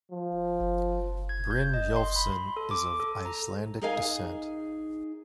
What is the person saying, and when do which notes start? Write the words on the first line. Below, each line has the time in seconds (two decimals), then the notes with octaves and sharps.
Brynjolfsson is of Icelandic descent.
0.12 F3
1.29 G#6
1.51 G6
1.74 D#5
1.96 C6
2.16 B5
2.32 C6
2.57 A4
2.71 D6
3.00 A4
3.25 A#5
3.81 D#4 G#4 A#4 D#5 F5 G#5